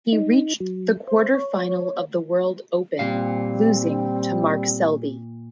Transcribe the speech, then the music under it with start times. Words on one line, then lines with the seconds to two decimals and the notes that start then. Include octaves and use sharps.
He reached the quarter-final of the World Open, losing to Mark Selby.
0.13 D#4
0.60 F#3
1.08 C5
1.35 C#5
2.99 A#2 G3 C4 F5